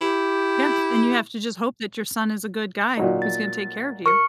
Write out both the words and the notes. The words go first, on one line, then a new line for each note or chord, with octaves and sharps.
Yes, and you have to just hope that your son is a good guy, who's gonna take care of you.
E4 G4
A#2 F#3 D#4
A6
A#4 C#6 F6 C#7